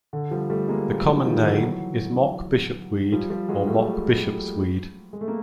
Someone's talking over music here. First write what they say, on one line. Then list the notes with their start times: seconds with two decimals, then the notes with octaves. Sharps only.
The common name is mock bishopweed or mock bishop's weed.
0.13 D3
0.31 F3 G3
0.50 G3 A3
0.69 G#3 A#3
1.05 E3 F#3
1.25 D#3 F3
1.43 D3 E3
1.62 E3 F#3
3.12 F3 G3
3.30 F3 G3
3.49 F#3 G#3
3.67 G3 A3
5.13 G#3
5.21 A3
5.28 A#3